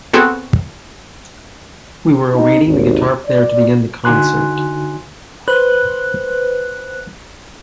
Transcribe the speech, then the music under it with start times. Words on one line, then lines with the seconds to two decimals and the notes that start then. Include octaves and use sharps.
We were awaiting the guitar player to begin the concert.
0.13 B3 C4 F#4 G#4 A4
2.34 D#4
2.66 G#1 D#2
3.26 D5
4.05 D3 D#4 F#4 G#5 C6 F#6
5.48 B4 C5 F#6